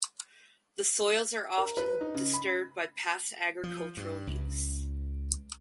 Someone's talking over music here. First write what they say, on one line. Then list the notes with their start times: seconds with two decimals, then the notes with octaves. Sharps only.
The soils are often disturbed by past agricultural use.
1.58 A#4
1.77 B4
2.01 D#4
2.14 C#3
2.33 B5
3.63 F3
3.97 G2
4.27 C#2